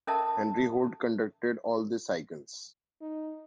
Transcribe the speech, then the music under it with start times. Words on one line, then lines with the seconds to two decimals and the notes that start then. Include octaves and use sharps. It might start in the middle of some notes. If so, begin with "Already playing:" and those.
Henry Holt conducted all the cycles.
0.07 C#4 A4 A#4 D#5 E5 A5
3.01 D#4